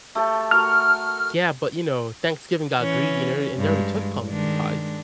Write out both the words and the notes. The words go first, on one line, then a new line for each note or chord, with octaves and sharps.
Yeah, but, you know, Thanksgiving got greedy, and r and they already took pumpkin pies.
A3 G4 A5
A3 F#4 A#4 F6
E3 C#4
G2 G#3
D#3 G#3 D4